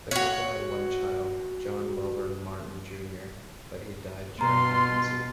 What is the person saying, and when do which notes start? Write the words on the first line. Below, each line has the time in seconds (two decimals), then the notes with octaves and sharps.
The couple had one child, John Wellborn Martin, Junior but he died during infancy.
0.11 F#4 C#5
4.41 B2 F4 A#5 C6